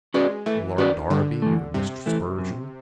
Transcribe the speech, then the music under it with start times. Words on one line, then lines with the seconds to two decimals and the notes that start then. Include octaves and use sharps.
Or Lord Derby, or Mr. Spurgeon.
0.14 G#3 C#4 F#4 B4 D5
0.46 E3 A3
0.78 D#3 C#4 F#4 B4 D5
1.10 G2 D3
1.42 E3 A3
1.74 G2 C3
2.06 E3 A3
2.38 F#2